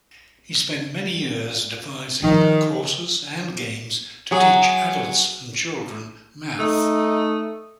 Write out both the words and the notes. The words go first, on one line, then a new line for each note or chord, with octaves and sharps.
He spent many years devising courses and games to teach adults and children math.
D#3 F3
F#3 G#4
A3 D#4 D#6